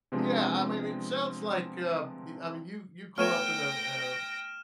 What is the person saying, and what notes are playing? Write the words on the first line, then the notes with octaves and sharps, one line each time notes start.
yeah, I m I mean, it sounds like, uh I mean, you you grew up in a, uh,
C3 F3 G#3 B3 C4 D4
A3 B3 C#5 G5 F6 A#6 D#7 E7